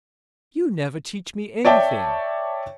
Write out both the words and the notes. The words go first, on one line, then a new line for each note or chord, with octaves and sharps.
"You never teach me anything."
C#5 D5 E5 G5 A5